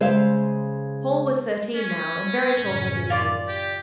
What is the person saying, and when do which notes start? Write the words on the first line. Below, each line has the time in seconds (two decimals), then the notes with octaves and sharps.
Paul was thirteen now and very tall for his years.
0.01 C#3 G#3 C5 E5 F5
1.75 C#4
2.59 A1 F#2 C#3
3.10 F4 D5 D6
3.48 G4